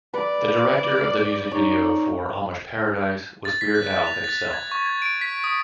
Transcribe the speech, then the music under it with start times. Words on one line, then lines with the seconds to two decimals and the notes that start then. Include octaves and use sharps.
The director of the music video for "Amish Paradise" was Weird Al himself.
0.14 B4 D5
1.52 D#4 C#5
3.45 A6
3.61 B6
3.75 F#6
4.07 F7
4.24 A6
4.53 G#6
4.71 C#6
4.86 G#6
5.02 D7
5.21 B6
5.44 D#6